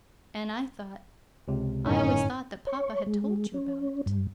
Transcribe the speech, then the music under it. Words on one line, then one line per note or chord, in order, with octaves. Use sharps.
'And I thought--I always thought that papa had told you about it.'
C#2 C3
G1 F#2 A2 D#3 C#4 D#4
C#5
G#3
C#4
G2